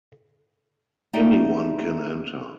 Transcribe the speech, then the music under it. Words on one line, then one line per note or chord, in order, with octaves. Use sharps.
Anyone can enter.
A3 D#4 G4 D5 E5 G5